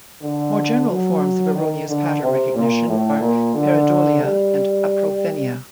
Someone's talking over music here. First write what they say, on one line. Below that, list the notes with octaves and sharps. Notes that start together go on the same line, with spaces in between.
More general forms of erroneous pattern recognition are "pareidolia" and "apophenia".
D3
F#3
D#3
D3
C3
A#2
A2
A#2
D3
G3